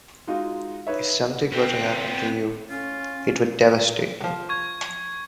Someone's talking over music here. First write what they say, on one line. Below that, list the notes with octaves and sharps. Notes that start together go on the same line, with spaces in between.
If something were to happen to you, it would devastate me.
G#3 D#4 F4 F#4
D#4 B4 C#5 E5
B3 C4
C#4 F4
F3 F#3
C#6 G#6